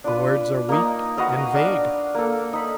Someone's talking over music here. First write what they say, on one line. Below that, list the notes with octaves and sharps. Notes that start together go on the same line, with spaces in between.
The words are weak and vague.
D4 F4 B4
A#3 D#4
F#4 B4 D#5 F5
D4 F5
A#3 A4
D#4 B5